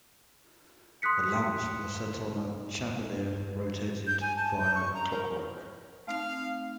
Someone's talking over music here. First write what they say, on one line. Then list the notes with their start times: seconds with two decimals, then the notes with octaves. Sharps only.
The lamps were set on a chandelier rotated via clockwork.
1.02 C6 D#6 F#6 B6 C#7
4.07 G6
4.21 G#5
4.36 A5
4.59 G6
4.75 C#6
4.94 A#5
5.11 A#4
6.07 A3 C4 D#4 F5